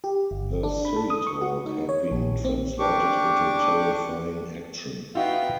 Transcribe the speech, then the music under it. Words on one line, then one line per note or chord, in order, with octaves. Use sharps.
The "silly talk" had been translated into terrifying action.
G4
G1
D4
B5
A4
D#6
C#6
F#4
D#4
C#5
A#1
C4
D4 G4 C#6 D6
B3 D#4 F4 F#4 E5 F5 G5